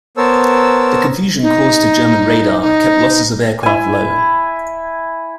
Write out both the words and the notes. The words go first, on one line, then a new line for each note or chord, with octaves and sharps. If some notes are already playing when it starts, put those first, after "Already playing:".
The confusion caused to German radar kept losses of aircraft low.
B3 A#4 C5 C#5 A5 E6
D#4
D#4
E4 G#5